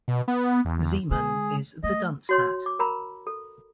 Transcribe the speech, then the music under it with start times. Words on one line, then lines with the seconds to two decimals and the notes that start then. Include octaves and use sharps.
Zeeman, is the "dunce hat".
0.08 B2
0.28 B3
0.65 E2
1.11 D3 G#3 G#4
1.83 A3 D#5
2.29 F#4 C#5 C6
2.66 D6
2.79 A#4 A#5 B5
3.27 A4